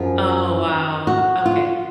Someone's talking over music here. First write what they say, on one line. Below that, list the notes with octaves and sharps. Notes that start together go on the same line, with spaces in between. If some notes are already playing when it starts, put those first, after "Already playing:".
Oh, wow. Okay.
Already playing: F#2 F3 G#4
F#4
F4